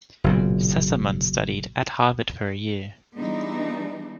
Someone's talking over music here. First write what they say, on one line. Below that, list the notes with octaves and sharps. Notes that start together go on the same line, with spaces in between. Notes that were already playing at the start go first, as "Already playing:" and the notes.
Sassamon studied at Harvard for a year.
F#1 B1 A#2
E3 G3 G#3 B3 D4 D#4